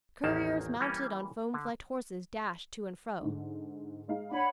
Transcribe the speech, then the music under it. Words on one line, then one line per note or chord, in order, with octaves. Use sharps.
Couriers mounted on foam-flecked horses dashed to and fro.
A1 E2 D#3 A#3 A5
E3 G3 A#3 C#4
D3
G#2 D3
G#3 D#4 F5
D4 C#5 F#5 B5